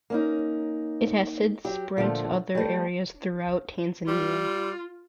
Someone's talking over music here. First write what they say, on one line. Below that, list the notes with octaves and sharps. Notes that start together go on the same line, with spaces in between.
It has since spread to other areas throughout Tanzania.
A#3 C#4 D#4
F#3 G4
A#2 D3 F3 A3
G3 A3
G3 F4